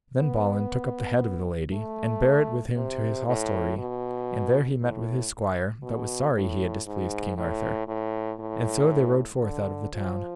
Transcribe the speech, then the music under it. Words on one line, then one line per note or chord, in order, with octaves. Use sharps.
Then Balin took up the head of the lady, and bare it with him to his hostelry, and there he met with his squire, that was sorry he had displeased King Arthur and so they rode forth out of the town.
B3
A3
C3
A2
B2
A2
B2
A2
G#2
A2
A2
A2
D3
F3